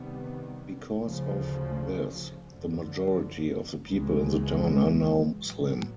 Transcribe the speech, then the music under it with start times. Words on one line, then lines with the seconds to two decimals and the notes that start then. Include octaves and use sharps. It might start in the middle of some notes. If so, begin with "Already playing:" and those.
Because of this, the majority of the people in the town are now Muslim.
Already playing: C3 D#3 G3 B3
1.02 D2 C#3 F3
2.46 F#2 D3 F3
3.89 C#2 C#3 E3 G#3
5.32 A2 F#3 B3